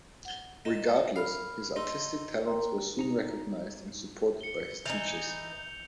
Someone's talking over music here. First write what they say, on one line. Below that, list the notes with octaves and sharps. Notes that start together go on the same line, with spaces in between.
Regardless, his artistic talents were soon recognized and supported by his teachers.
F#5 G7
D#4 E7
A#4 F5 B5 F6
D#4 C6 E6
A#4 G5 A#5 C6
D#4 A#5
C#7 G7
E3 D#4 G6 F7